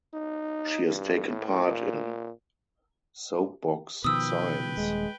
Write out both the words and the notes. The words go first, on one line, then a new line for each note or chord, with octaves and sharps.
She has taken part in Soapbox Science.
D#4
G2
A2
A#2
B2 D#3 F3 B4 G5 D#6 E6
D#1 G#3